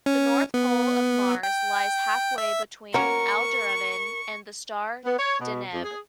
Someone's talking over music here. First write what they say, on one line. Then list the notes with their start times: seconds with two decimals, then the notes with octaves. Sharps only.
The north pole of Mars lies halfway between Alderamin and the star Deneb.
0.06 C#4
0.54 B3
1.43 G5
2.38 E5
2.94 A#3 C#4 F#4 A#4 C#6
5.05 B3
5.19 C#5
5.39 B2
5.72 F2
5.84 G#4